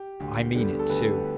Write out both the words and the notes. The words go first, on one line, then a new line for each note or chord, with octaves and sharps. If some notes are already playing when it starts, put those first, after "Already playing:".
I mean it too.
Already playing: G4
D2
D3 G3 B3
A4
D2 B4